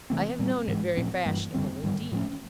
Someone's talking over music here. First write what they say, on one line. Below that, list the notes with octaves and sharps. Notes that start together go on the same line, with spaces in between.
I have known it very fashionable indeed.
C3 E3 A3 C4
A#2 G3 C4
G#2 E3 G#3
A#2 F3 A3 C4
G2 E3 G3 A#3
F#2 D3 G3 C4
G#2 D#3 G3
A2 F3 A3 C#4